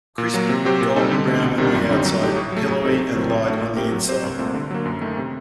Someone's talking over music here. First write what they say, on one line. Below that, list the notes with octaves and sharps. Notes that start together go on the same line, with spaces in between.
Crispy, golden brown on the outside, pillowy and light on the inside.
A#2
F#3 A#3
C3
F#3 C4 G4 C5
A#2
G3 C4 D#4 A4
D3
A3 C4
C2
C3 D#3 G3 D4
F#2
D3 G3 C4 D#4
F#3
A3 D#4 G4
A2
F#3 A3
F#3
C4 D#4 A4 C5
C3
D#3 F#3 C4
A2
A3 D4 F#4
A#2
A3 C4 G4 A#4
F#3
C4 G4 C5
C2
A#2 A3 C4
D3
F#3 A#3
F#2
D#3 A3
C3